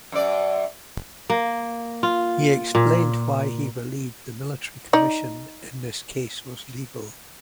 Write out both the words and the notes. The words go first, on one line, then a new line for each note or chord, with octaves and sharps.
He explained why he believed the military commission in this case was legal.
F#2 D5
A#3
F4
A#2
D#4 D5